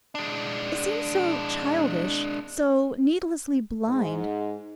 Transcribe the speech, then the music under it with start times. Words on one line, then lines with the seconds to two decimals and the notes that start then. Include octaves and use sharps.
It seems so childish, so needlessly blind.'
0.15 G#3 D4
3.87 G#2